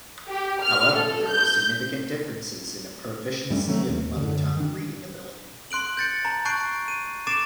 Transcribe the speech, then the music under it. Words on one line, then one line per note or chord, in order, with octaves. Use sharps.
However, there were significant differences in the proficiency of mother tongue reading ability.
G4
F6
A4
G6
G2 G3 A3 C#4
D#3 F#3 A3
D#2
F#2 D3
D#3 D4
C6 F#6 D7 F#7
G6 A6 C#7
A5 A#5
A5 C#6 F#6 G6 C7 D7
D#7
D6 A6 C7 D7 E7